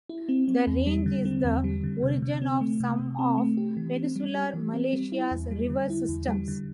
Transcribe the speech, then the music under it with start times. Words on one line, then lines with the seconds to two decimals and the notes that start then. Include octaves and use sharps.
The range is the origin of some of Peninsular Malaysia's river systems.
0.09 E4
0.29 C4
0.48 C4
0.67 E2
0.87 G3
1.06 D3
1.25 C4
1.44 E2
1.64 G3
1.83 D3
2.02 C3
2.22 C3
2.42 C4
2.61 A3
2.80 C3
3.00 C3
3.19 C4
3.38 A3
3.57 G4
3.77 E3
3.96 C4
4.16 G3
4.34 G4
4.54 E3
4.74 C4
4.93 G3
5.12 E4
5.31 E2
5.51 G3
5.70 D3
5.90 E4
6.09 E2
6.28 G3
6.48 D3